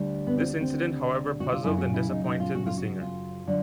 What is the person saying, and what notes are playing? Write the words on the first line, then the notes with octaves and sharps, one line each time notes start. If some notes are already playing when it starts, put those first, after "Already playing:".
This incident however puzzled and disappointed the singer.
Already playing: D2 D3 G3
B3
C4
C4
F#4
F4
F#2 C#3 F#3 A#3 E4
F#4
E4
D#4
D#4
F4
F#4
F4
F#4
F4
D3 F#3